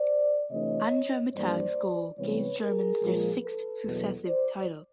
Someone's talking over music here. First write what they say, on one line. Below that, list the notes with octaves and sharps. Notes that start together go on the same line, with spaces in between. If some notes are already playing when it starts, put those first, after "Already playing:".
Anja Mittag's goal gave the Germans their sixth successive title.
Already playing: C5 D5
C3 E3 A3 D4 C#5 D#5
G2 E3 G3 A#3 D4 C5 D5
C3 E3 G3 B3 B4 C#5
G#4 A#4
A#2 F3 G#3
A4 B4
E2 B2 F#3
C5 D5